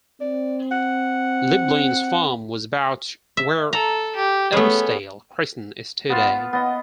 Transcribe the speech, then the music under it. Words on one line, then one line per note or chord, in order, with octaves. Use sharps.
Lieblin's farm was about where Elmsdale Crescent is today.
C4 D5
F#5
E5
A4 A#5
G4
A3 B3 C#4 G#4
B3 F4
B3 D#5